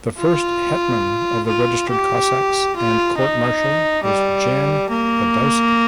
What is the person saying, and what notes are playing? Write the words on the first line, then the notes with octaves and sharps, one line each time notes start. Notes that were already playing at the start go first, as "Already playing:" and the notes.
The first Hetman of the Registered Cossacks and court marshal was Jan Badowski.
F4
F4
G4
F4
D#4
G3
A#3